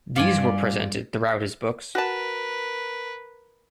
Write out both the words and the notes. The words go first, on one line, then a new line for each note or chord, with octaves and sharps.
These were presented throughout his books.
G2 F4 D5 G#5
F#4 A#4 B4 A5